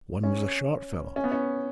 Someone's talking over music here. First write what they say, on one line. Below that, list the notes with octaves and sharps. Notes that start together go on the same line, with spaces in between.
One was a short fellow.
C#4
C#4
B3
C#4